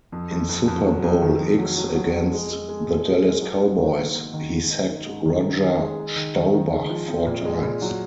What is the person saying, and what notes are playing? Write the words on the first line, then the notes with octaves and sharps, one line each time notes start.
In Super Bowl X against the Dallas Cowboys, he sacked Roger Staubach four times.
F2
F2
F2
F2
F#3
F2
D#3
F2
F#3
F#3
F#3
F2
G#3
G#3
G#3
A#2
G#4
G#3
F#3
G#2
D#3
A#3
A#3
D#3
G#2
D#4
D#4
G#2
D#3
D#3
D#3
G#3
D#4
D#3
D#3
D#3
G#3
F3
C4
A#2
G#3
A#2
F#3